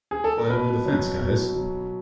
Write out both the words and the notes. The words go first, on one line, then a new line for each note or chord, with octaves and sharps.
Fly over the fence guys!
G#4
A4
A#4
B2 B4
F#3
B2
F#3